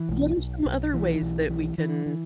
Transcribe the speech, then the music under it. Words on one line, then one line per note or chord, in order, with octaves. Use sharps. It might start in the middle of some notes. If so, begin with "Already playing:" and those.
What are some other ways that we can
Already playing: E3
B1
B1
B1
E3
B1
E3
E3
E3